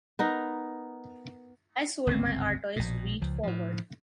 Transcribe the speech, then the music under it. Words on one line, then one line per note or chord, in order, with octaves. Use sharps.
I sold my Artois wheat forward.
B3 D#4 A#4
G1 C#2 G#2 C4
A#1 B2
C#2 F3
A2 F3